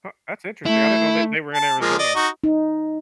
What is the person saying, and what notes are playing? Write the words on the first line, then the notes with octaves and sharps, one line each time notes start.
Huh, that's interesting. I didn't know that they were in Arizona.
A3 E4
A5
F3 G#3 A#3
D5 D#5
D#4 F#4
D#4